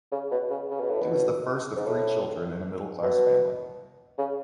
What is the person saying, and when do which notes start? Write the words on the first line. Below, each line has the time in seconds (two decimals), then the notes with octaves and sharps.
He was the first of three children in a middle-class family.
0.12 C#3
0.31 B2
0.50 C#3
0.70 C#3
0.80 B2
0.90 A2
1.01 B2
1.76 G#2
1.86 A2
3.03 B2
4.18 C#3